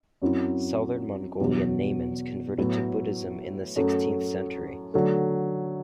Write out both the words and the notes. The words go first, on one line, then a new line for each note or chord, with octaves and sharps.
Southern Mongolian Naimans converted to Buddhism in the sixteenth century.
F#2 F#3 C4 E4
E2 B2 F#3
A2 F#3 B3 E4
F#2 F#3 A3
D3 F#3 A3